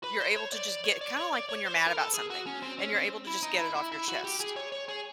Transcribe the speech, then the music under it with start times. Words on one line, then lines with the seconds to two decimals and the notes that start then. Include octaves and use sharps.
you're able to just get kinda like when you're mad about something, and you're able to just get it off your chest.
0.04 B4
0.20 C5
0.36 C#5
0.52 D5
0.68 D5
0.84 C#5
1.01 D5
1.17 C#5
1.33 D5
1.49 C#5
1.66 C5
1.76 B4
1.87 A#4
1.98 A4
2.14 G#4
2.30 F#4
2.47 C#4
2.62 C4
2.79 C#4
2.95 C4
3.27 E4
3.43 D#4
3.59 E4
3.76 E4
3.92 E4
4.08 F#4
4.24 G4
4.40 G#4
4.56 C#5
4.72 C#5
4.88 G#4